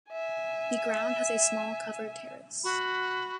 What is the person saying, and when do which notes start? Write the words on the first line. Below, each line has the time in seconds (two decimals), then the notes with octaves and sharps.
The ground has a small covered terrace.
0.12 E5 G#5
2.64 F#4 B5